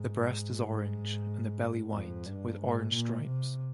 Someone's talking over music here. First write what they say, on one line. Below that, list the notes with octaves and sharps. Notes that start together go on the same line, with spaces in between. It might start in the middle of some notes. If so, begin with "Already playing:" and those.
The breast is orange, and the belly white with orange stripes.
Already playing: G#2
F2
G2
G#2
A#2
C3